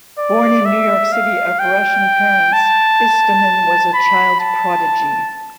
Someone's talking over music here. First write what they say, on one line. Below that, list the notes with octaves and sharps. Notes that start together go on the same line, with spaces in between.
Born in New York City of Russian parents, Istomin was a child prodigy.
D5
E5
F5
G5
A5
B5
A5